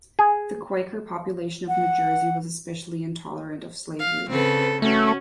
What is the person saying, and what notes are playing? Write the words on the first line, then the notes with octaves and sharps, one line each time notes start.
The Quaker population of New Jersey was especially intolerant of slavery.
G#4
F#5
F5
C#3 C4 A4 B4
A3 C#4 F#4